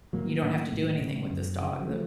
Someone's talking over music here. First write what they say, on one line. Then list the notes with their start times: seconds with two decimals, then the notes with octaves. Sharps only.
you don't have to do anything with this dog. Th
0.13 A2 F#3 A#3
0.43 A2
0.73 A2
1.01 C#3
1.31 F#2
1.60 C#3
1.81 F#3
1.88 C#3 F3 A3